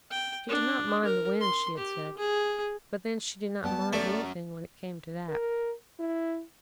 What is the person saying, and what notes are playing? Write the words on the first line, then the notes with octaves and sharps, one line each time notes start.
She did not mind the wind, she had said, but then she did not "mind" anything, when it came to that.
G5
D4
A#4
C6
G4
G#4
G3 B3 G5 A5
F#2 A3 D5
A#4
E4